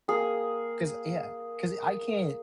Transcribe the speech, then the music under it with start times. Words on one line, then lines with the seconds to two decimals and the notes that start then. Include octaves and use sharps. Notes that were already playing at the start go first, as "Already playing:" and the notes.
'cause, yeah 'cause I can't
0.08 A#3 G#4